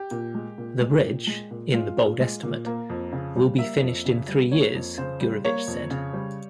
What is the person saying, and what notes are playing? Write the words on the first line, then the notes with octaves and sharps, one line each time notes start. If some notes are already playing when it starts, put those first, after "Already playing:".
"The bridge, in the bold estimate, will be finished in three years," Gurevich said.
Already playing: G4
A#2
G#3
A#2
G#3
A#2
G#3
A#2
G#3 F4
A#2
G#3
A#2
A#3
F2
C#3
G3
A#3 E5
F2
C#3
G3
A#3 C#5
F2
C#3 C5
G3
A#3 C#5
F2
C#3
G3